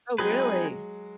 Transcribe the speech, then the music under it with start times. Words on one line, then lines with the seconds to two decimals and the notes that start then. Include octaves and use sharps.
Oh, really?
0.18 F#3 G#3 C4 D#4 G#4 B4